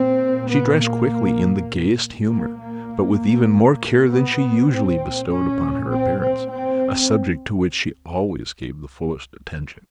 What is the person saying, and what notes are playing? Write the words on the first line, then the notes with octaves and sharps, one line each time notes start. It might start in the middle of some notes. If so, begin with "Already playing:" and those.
She dressed quickly, in the gayest humour, but with even more care than she usually bestowed upon her appearance; a subject to which she always gave the fullest attention.
Already playing: A#2 C4
B3
A#3
A#2 A#3
A#3
B3
A#2 C4
C#4
C4
C4
C4